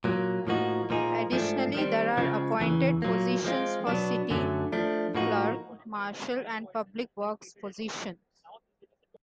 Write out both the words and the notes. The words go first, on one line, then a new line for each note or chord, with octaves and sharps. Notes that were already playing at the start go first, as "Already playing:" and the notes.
Additionally, there are appointed positions for City Clerk, Marshall, and Public Works positions.
A#2 F#3 A#3
A2 F3 A#3 D#4 F#4
A#2 F3 A#3 D#4 G#4
G#2 F3 A3 D4
D#3 G3 C4
C#3 F3 G#3
E2 C#3 E3
A#2 F#3 A#3
F3 G#3 C4 F4
B2 F#3 B3 D4
F#2 D3 F#3 A3
F3 A3 D4
A2 F3 A#3 D#4 F#4